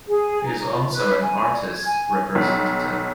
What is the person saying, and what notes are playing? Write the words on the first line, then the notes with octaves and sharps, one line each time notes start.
He is also an artists representative.
G#4
A#5
F4
B4
G#5
D5
G#6
G#5
B1